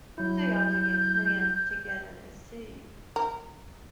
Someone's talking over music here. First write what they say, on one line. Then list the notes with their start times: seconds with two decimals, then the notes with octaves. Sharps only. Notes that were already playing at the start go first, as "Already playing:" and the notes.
So y'all do get plenty of togetherness too.
0.18 F#3 E4 G6
3.16 A#4